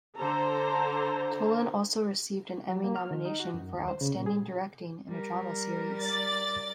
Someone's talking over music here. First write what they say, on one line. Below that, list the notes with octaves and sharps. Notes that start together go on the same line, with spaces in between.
Tolan also received an Emmy nomination for Outstanding Directing in a Drama Series.
D3 A4 C5 A#5
F#3
A#3
F6
D#3
D#4
F#4
F#2
D#2
C5
C#3
A#2
G#4
G3 A#4
D5 A6